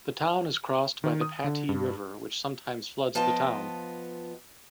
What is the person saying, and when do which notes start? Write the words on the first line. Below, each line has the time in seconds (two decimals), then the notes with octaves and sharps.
The town is crossed by the Pati River, which sometimes floods the town.
1.04 D#3
1.21 D#6
1.44 D3
1.69 G2
3.15 F3 B3 F4 D#5 G5 A5